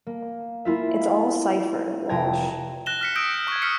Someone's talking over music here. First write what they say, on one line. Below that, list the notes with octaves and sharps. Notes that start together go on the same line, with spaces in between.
It's all cypher, Walsh.
A#3
A#3 E4 F4 E5
F1 G5 A#5 G#6
F#6 A#6 E7 G7
F6 B6 C#7
D#6 E6 G6 A#6 D7
C#6 G#6
D#6 F6 B6 C#7